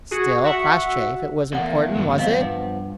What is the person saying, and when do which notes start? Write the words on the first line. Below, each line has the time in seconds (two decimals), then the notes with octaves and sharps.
"Still, Crossjay, if it was important--was it?"
0.11 F#4 G#4
0.44 F#4 E5 F#5
1.53 E2 A3 A#3 D5 F#5
1.95 D2 G2 F#3
2.18 F#2 A#2 C4 D#5 F5
2.39 G2 F3 B3